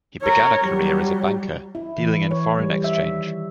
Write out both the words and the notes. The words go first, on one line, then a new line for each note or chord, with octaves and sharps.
He began a career as a banker, dealing in Foreign Exchange.
A#4 C#5
F#3 G3
E4
E3
C#5
G3
E5
D#3